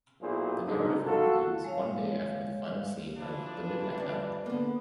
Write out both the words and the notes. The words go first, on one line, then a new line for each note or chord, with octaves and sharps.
The narrative concludes one day after the final scene of "The Midnight Bell".
B1 A#2 E4 G#4 C5
D3 G#3 D#4
F4 F#4 A4
G#3 C#5 F5
E3 F3 D4
B4
G2 C4
D3 A#3 B3